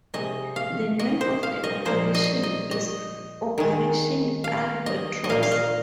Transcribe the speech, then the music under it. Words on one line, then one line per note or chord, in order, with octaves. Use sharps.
The name of the operation is Operation Albatross.
C3 G#3 D#5
F5
D#5
C5
F5
D#5
A#2 F3 A#3 C5
D#5
D#5
D#5
D#3 G#3
F5
D#5
D#5
A#2 A#3 F5
F5
D#5